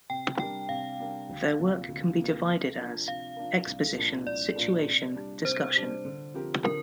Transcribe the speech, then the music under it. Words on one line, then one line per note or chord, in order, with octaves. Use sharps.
Their work can be divided as: Exposition, Situation, Discussion.
C3 G5
G3 D4 A#4 G5
C3 F5
G3 D4 A#4
D2
C3 F3 A#3
D2
C3 F3 A#3
C3
F3 D4 A#4
C3 F5
F3 D4 A#4
C2
A#2 F3 D4 A#4
C2 D5
A#2 F3 D4 A#4
C3
G3 D4
C3 C5
G3 D4
D3
F3 C4 G4 A#4
D3 A#4